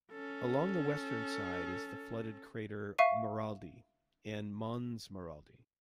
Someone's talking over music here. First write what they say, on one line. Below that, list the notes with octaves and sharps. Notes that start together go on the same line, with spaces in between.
Along the western side is the flooded crater Maraldi and Mons Maraldi.
C#4 A4
E5 F5 C#6 D#7